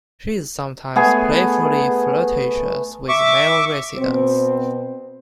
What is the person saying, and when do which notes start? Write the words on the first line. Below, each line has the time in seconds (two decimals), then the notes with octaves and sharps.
She is sometimes playfully flirtatious with male residents.
0.96 A3 B3 G#4
3.09 E5 C#6 D6
3.98 B2 C4 C5